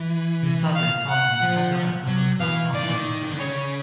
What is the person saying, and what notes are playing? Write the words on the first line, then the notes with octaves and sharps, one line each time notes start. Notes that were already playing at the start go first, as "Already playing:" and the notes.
Misato is home to Misato Astronomical observatory.
Already playing: E3
F5
F#5
F3
F#3
E3 F5
D#3 D5
E3
D#3
D#3
D3
C#3 C#5